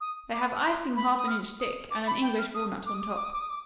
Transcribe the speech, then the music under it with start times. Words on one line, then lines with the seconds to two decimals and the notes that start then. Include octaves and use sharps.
They have icing half an inch thick and an English walnut on top.
0.01 D#6
0.33 D6
0.64 C6
0.96 B5
1.17 D#6
1.28 F6
1.60 D#6
1.91 D6
2.07 B5
2.22 G5
2.38 F6
2.54 D#6
2.86 D6
2.94 D#6
3.01 D6
3.09 D#6
3.17 D6
3.25 D#6
3.33 D6
3.40 D#6
3.49 D6